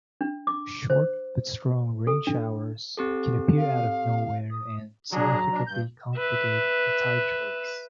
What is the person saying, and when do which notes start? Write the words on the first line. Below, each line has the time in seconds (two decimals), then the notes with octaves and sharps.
Short but strong rainshowers can appear out of nowhere and significantly complicate the tyre-choice.
0.21 D4
0.47 D6
0.90 C5
2.07 A4
2.27 D4
2.97 C4 G4 A4
3.57 F5
4.51 D#6
5.13 F#3 D4 G#4 A#5
5.52 D4
5.67 G2 G6
6.17 B4 E5